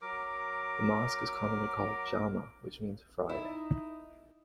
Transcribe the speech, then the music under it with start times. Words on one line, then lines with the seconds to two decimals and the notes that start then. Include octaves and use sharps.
The mosque is commonly called "Jama" which means Friday.
0.02 F#3 A#4 D6
3.29 D#4 E4